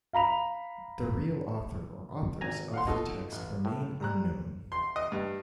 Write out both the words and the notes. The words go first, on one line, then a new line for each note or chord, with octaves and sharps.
The real author or authors of the text remain unknown.
F5 A#5 B5 F7
G#1 G#5 A#5
F5 F#5 C6
B2 D#4 F4 A4
A1
A2
G3 A#5 F#6
C6
D#5
G2